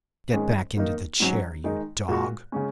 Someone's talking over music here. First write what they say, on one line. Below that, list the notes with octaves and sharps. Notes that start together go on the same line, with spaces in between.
Get back into the chair, you dog!
G#2 D#3 G#3 C#4
D#3 A#3 D#4
G#2 F#3 C#4
D#3 G#3 D#4
A#2 G#3 F#4
C#3 G#3 C#4